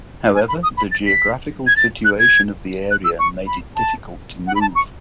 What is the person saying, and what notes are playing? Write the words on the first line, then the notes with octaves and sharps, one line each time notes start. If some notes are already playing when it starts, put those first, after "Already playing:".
However, the geographical situation of the area made it difficult to move.
G#5
B5
D#6
B5
A6
B6
G#6
A6
F#6
G#6
F#6
E6
C#6
B5
A5
F#5
B5
A5
C#6